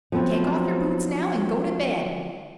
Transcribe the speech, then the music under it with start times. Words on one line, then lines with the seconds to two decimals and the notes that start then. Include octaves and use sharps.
Take off your boots now and go to bed.
0.12 F3 F#3 B3 C4